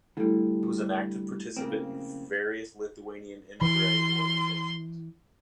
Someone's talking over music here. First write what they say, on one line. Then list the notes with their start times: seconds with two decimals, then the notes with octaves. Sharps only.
He was an active participant in various Lithuanian emigre organisations.
0.17 D3 G3 A3 E4 A4
1.57 C#3 A#3 C4
3.61 E3 C6